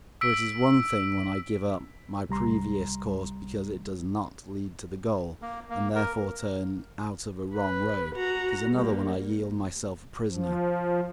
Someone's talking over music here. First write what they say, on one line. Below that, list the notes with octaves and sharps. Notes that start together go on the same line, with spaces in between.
For it is one thing when I give up my previous course because it does not lead to the goal, and therefore turn out of a wrong road; it is another when I yield myself a prisoner.
E6 B6 D7
C2 G3 A#5 C6
A#3
A#3
A#4
B4
F#4 A#5
G3 A#3
F3